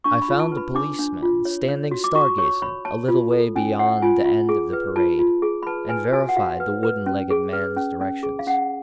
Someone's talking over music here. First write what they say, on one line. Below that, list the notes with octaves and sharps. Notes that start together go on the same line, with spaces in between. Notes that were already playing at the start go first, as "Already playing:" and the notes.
I found a policeman, standing star-gazing, a little way beyond the end of the parade, and verified the wooden-legged man's directions.
D4 C#6
B5
F4
A5
B4
B5
D4 D6
D4
F4
C#5
C#5
F#4
D6
F#4 C#6
C#5 C#6
C#5 B5
C#5 A5
F4
A4
C#4 G#5
C#5 F#5
F4 G#5
F4
G#4
B4
F4 A5
F4
G#4
B5
B4 A5
B4 G#5
F#4 G#5
F#5
F#4 F5
B4
B4
C#4
G#4
B4
C#4
C#4
G#4
F5
C#4 F#5